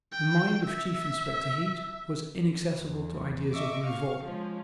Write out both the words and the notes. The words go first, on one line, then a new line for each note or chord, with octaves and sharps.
The mind of Chief Inspector Heat was inaccessible to ideas of revolt.
G5
E5
E2
D#5 E5 C#6 D6
F5 C#6
F3 G#3 C#4